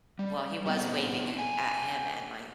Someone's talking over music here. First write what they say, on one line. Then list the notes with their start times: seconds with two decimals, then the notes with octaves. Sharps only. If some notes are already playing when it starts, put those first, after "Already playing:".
well, he was waving it at him and my
0.19 G3
0.66 B3 C4 D#4 G4
1.38 G5 G#5